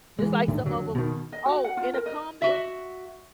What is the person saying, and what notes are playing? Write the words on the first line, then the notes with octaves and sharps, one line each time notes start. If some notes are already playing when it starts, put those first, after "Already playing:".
just like some of 'em Oh, in a comment,
E3 G#3
G1 A2 D3 D#3
F2 D3 F#3
B2 D#3
D#5
F#4
F#5
F4
A#4
D#5
F#4 E5